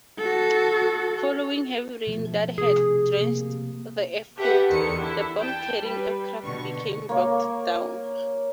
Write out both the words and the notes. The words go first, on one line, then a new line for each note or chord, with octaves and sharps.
Following heavy rain that had drenched the airfield, the bomb-carrying aircraft became bogged down.
F#4 A4
B2 F3 A3
C3 G#4
C3 A#3
G4 A4 B4 E5 F#5
E2 D3 D#3 C#7
D4 E4
G5 A5
G3 B4
B2 D3 C#6
A#3 C#5